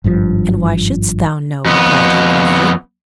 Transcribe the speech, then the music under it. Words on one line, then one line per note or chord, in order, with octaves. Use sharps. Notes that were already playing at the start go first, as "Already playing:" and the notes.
"And why shouldst thou know?" replied he, gruffly.
G#1 G2 D3 F3
F2 B3